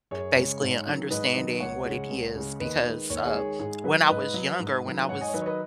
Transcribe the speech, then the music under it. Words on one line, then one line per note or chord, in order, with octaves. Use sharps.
basically understanding what it is because, uh, when I was younger, when I was
F#2 G#4 C#5
C#3 G#3
G#2
D#3 F#3
G#2 B4 D#5
D#3 F#3
C#2 C#5 F#5
C#3 G#3
C#2
C#3 G#3
D#2 B4 D#5
D#3 G#3
D#2 C#5
D#5
G#4 C#5
D#3 G#3
G#2 G#4
F#3 B4
G#2 B4 D#5
F#3
G#2
D#3 F#3
G#2 C#5 F#5
D#5 G#5
C#5
D#3 F#3 B4 D#5
C#5
B4 D#5